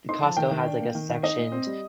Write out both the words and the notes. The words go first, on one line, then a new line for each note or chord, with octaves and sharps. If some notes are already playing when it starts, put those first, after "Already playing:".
The Costco has, like, a sectioned
D#4 C6
F3 A5
D#3 G5
D#3
D4
A#3
D#3
D#3
D#4 D#5
A#2
C4
G3